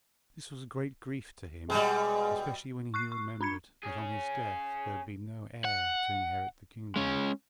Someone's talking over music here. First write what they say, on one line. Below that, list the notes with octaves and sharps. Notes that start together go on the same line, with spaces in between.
This was a great grief to him, especially when he remembered that on his death there would be no heir to inherit the kingdom.
B2 G3 G#3
C#6 F#6 C7
C#6
D4 B5 G#6 C#7
C#4 G#4
F#5
G#3 C#4